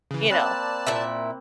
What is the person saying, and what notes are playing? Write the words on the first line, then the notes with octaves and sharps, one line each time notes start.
You know?
C#3 E3
A#3 C4 D5 A5 B5 F#6
A#2 E4 E5